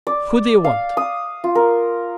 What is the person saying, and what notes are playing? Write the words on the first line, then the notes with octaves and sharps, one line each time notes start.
"Who do you want?"
D5
F5
D#6
F4
A#4